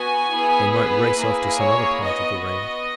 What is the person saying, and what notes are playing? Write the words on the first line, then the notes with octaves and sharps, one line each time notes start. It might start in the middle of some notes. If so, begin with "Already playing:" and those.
They might race off to some other part of the range.
Already playing: B3 F#4 G#5
B3 E4 G#4
B4
A#3 E4 G#4
C#5
B3 F#4 D#5
D#5